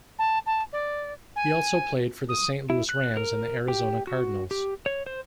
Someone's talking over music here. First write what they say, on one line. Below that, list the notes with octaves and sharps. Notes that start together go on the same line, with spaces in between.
He also played for the Saint Louis Rams and the Arizona Cardinals.
A5
A5
D5
G#5
D#6
E4
F#6
A#4
G4
F#4
G4
C#5
C5